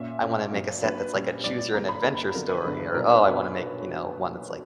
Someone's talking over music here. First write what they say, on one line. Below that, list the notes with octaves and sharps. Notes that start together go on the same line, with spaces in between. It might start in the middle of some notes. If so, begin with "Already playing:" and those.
I wanna make a set that's like a choose your own adventure story," or "Oh, I wanna make," you know, "one that's like,
Already playing: A#2 A#3 C#4 E5
A#2 A#3 C#4
G1 G2 F#3 A#3
G1 G2 F#3 A#3 B4
A#2 G3 C#4
A#2 G3 C#4 D5
D5
G2 D3 A#3 A#5
B5
G2 D3 A#3
G1 G2 D3 F#3 B3 A#4
B4
G1 G2 D3 F#3 B3 B4
B4
B1 A#2 F#3 B3 D4 A#4
B4
B1 A#2 F#3 B3 D4 C#5